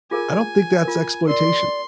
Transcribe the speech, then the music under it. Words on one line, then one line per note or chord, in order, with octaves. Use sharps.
I don't think that's exploitation.
F4 G#4 A#4 G#5
F4 A#4
A#4 D5 C6